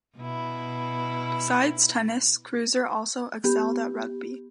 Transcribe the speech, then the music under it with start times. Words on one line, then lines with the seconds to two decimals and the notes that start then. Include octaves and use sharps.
Besides tennis, Kreuzer also excelled at rugby.
0.18 B2 E4
3.44 B3 G4